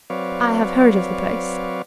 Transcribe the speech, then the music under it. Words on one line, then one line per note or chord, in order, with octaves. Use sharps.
"I have heard of the place."
F#3 C4 B4 C#5 D5 F5